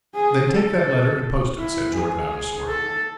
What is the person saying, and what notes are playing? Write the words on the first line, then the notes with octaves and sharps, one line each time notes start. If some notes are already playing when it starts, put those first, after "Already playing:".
"Then take that letter and post it," said George Vavasor.
G#4
A4
E4
G#4
A4